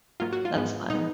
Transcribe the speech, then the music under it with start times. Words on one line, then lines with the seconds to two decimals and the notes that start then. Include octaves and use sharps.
That's fun.
0.20 G#2 F#3 A#3 F4
0.33 F#4
0.45 F4
0.56 G#2 F3 G#3 B3
0.90 A#2 G#3 B3 D#4